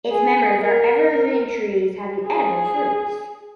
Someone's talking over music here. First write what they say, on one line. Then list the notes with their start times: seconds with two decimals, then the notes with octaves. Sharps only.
Its members are evergreen trees having edible fruits.
0.11 G#4
0.64 A#4
2.24 G#4